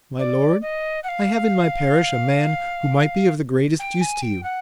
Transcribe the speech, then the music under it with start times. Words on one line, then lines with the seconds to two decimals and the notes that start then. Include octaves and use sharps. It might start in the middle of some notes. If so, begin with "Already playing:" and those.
"My lord, I have in my parish a man who might be of the greatest use to you."
0.19 D5
0.61 D#5
1.03 F#5
1.08 F5
3.79 G5
4.01 G#5
4.22 G5
4.43 F#5